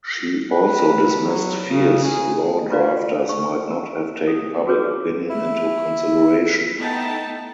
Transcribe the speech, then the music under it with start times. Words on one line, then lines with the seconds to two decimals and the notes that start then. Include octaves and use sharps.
She also dismissed fears law drafters might not have taken public opinion into consideration.
0.51 B4
1.24 F#3
1.69 C#3
2.03 G#4
2.70 E4 F4 B4 C5 D5 F5
3.29 D#4 C#6
3.71 A#4
4.28 D#6
4.67 F#4 G#4 A#4 B4 C#5 D6
5.29 E4
6.77 A3 B3 D#4 E4 G5 A5